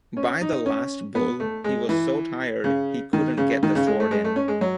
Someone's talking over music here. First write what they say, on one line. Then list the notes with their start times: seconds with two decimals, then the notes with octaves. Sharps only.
By the last bull he was so tired he couldn’t get the sword in.
0.17 C#4
0.42 D#4
0.66 C#4
1.15 B3
1.40 A3
1.64 G#3
1.89 E3
2.64 C#3
3.13 D#3
3.37 C#3
3.63 D#3
3.75 C#3
3.87 G#3
4.00 A3
4.11 G#3
4.24 A3
4.36 C#4
4.48 G#3
4.61 F#3